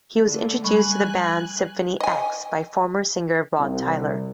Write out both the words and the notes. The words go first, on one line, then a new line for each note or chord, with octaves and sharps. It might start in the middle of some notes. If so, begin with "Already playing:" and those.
He was introduced to the band Symphony X by former singer Rod Tyler.
D3 A3
G3 G#5 B5 C#6 F#6
D#5 G#5
C2